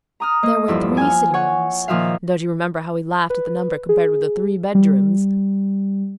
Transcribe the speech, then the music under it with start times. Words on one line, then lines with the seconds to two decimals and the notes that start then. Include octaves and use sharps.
There were three sitting-rooms; don't you remember how we laughed at the number compared with the three bed-rooms?
0.20 A#5 D#6 F6
0.43 A#3 D#5
0.68 E2 G2 F3 E4 A4
0.97 G#5 F6
1.34 C#5 F#5 G#5
1.88 A#2 D#3 F3 E5 F5
3.30 B4
3.89 G#4
4.75 G3